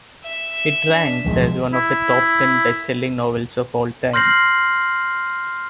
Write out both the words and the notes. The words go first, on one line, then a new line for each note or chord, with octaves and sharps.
It ranks as one of the top-ten bestselling novels of all-time.
E5
D4
D1 B1 D#3 F3 G#3
E4
C6 F6 G6 A#6 C7 F#7